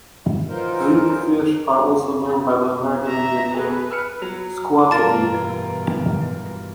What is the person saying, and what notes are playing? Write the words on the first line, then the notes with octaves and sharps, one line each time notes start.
Weakfish are also known by the American Indian name Squeteague.
E3 F#3 D#4 F4 A#4 C5
E5 A#5
G#4 A4 B4
E6 F6 C#7
F#3 F7
G2 B2 E3 F4 A#4 A5 A6